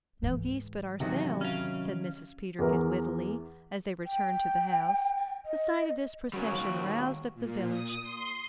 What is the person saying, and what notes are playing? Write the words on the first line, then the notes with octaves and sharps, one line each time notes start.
"No geese but ourselves," said Mrs. Peterkin, wittily, as they returned to the house. The sight of this procession roused up the village.
G#2 E3
E2 C3 D#3 F#3 F#4
C#4 F5
E2 E3 A#4
G5
D#5
G3 C#4 F#4 A#4 C#5
D#2 G3
A#2
D#6
C6